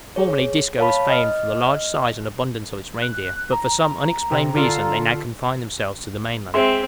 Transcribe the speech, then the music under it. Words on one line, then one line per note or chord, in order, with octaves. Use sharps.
Formerly Disco was famed for the large size and abundance of its reindeer; but for some unexplained reason they now confine themselves to the mainland.
G#4 C#5
C#5 F5 A5 B5
D#5 F6
F#6
A#5
C3
D3 F4 A4
G#3 C4 E5 C6